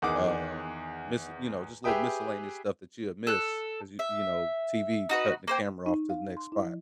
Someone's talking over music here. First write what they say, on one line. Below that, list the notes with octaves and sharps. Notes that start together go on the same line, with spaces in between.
Um, mis you know, just a little miscellaneous stuff that you have missed 'cause you you know, TV cut the camera off to the next spot.
E2 D#3 G#4 F#5 D6
G4 G#4 B4 E5 G5 D#6
A4 F#6
E5
D#4 F#4 B4
A#3 C5 G5
D#4
F5
C6
E4
F3